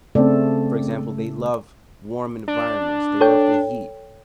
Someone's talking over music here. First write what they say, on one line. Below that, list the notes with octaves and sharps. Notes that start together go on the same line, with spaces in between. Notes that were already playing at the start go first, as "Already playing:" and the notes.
for example, they love warm environments, they love the heat,
C#3 A3 C4 A4 D5
D4
A4 C#5 G5